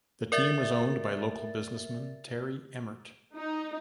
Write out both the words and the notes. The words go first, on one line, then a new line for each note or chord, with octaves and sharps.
The team was owned by local businessman Terry Emmert.
A#4 D5 E5 A6
D#4